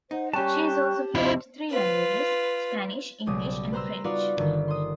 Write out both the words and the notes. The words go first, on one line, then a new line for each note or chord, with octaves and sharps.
She is also fluent three languages: Spanish, English and French.
D#4 C5 F#5
G3 C#4 G4 G5 A5 C#6 F#6
F2 C3 D4 E4 F4 D#5
F4 B4
B1 C#3 G3 D#6
B4 C5 A#5 C6 E6
D#4 F4 F#4 B4 D5 F5
G1 D3 D#3
C6 D#6